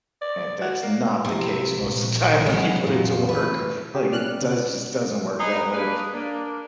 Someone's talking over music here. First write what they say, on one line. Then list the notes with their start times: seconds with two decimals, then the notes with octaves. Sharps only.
And, that's not the case most of the time when you put it to work, like, it does just doesn't work that way.
0.21 D5
0.62 F#4
0.82 A#3
1.25 C3 F3 E4
1.75 A#1 A#2
2.46 E3 F#3 G#3 B3
2.84 F2 A#2
3.29 E3 A3 B4
3.95 C#4 G4
4.12 B3 C#4 D5 F6 F#6
4.41 C#3
5.39 D#4 G#4 B4
5.72 A#3 D4 G#4 B4
6.13 A#3 D4